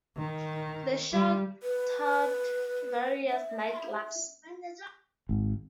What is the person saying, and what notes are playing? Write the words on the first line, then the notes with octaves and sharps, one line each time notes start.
The show toured various nightclubs.
D#3
G3
B4
E5
G#1